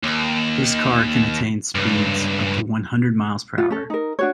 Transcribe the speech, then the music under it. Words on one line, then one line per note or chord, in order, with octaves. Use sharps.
This car can attain speeds up to one hundred miles per hour.
D#2
C#2 G2
F4
C#4 A4
D#4 A#4
D4 F#4 C#5